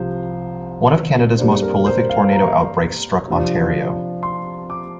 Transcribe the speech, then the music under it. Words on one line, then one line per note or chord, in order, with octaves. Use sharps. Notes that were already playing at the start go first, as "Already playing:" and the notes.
One of Canada's most prolific tornado outbreaks struck Ontario.
Already playing: C2 C3 F3 C5
G2 G3 A#3 D4 C5
A#4
C5
F5
A#5
C3 F3 D4
C6
D6